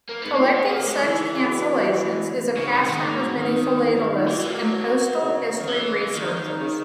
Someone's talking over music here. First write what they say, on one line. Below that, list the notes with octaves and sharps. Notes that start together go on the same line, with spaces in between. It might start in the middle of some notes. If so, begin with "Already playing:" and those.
Collecting such cancellations is a pastime of many philatelists and postal history researchers.
A#3
G#2 B3
A#3
A#2
B3
B3
B2 A#3
C#3
G#3
D#3 E3
C#3
C#3
B2
G#2
C#3
B2
D#3
A#3
F#3
D#3
E2
F#2
G#2
A#2
B2 E3
E3
A#3
F#3
C#3
D#3
E3
B2 D#3
C#3